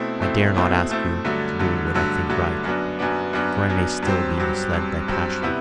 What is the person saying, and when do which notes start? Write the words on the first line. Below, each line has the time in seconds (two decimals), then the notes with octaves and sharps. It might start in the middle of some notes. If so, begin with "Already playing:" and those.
I dare not ask you to do what I think right, for I may still be misled by passion.
Already playing: B2 A3 C4 E4
0.20 B2 A3 C4 E4
0.54 B2 A3 C4 E4
0.89 B2 A3 C4 E4
1.25 G2 D3 F#3 A3
1.59 G2 D3 F#3 A3
1.94 G2 D3 F#3 A3
2.29 G2 D3 F#3 A3
2.64 F#2 F#3 B3 D4
2.99 F#2 F#3 B3 D4
3.33 F#2 F#3 B3 D4
3.68 F#2 F#3 B3 D4
4.03 G2 F#3 C4
4.38 G2 F#3 C4
4.73 G2 F#3 C4
5.08 G2 F#3 C4
5.42 C3 G3 B3 E4